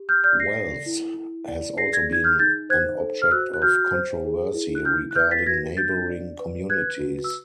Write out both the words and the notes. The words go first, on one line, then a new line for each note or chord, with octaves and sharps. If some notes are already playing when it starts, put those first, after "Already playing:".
Wells has also been an object of controversy regarding neighbouring communities.
Already playing: G4
F6 G6
D5 F6 G6
A#6 C7
A4
E4
E4
D5
G#4 A#6 C7
G#6 A#6
D#4 G#6
F6 G6
D#4 G6 A6
C5 F#6 G#6
A4
F6
F#4 E6 F#6
F#6
F#4 F6 G6
C5
G#4
E4
F#6
E4 F6 G6
F#6
B4 F6 G6
A6 B6
F#4 G#6 A#6
D4 G6 A6
D5
B4
B4 F#6 G#6
F#4
E6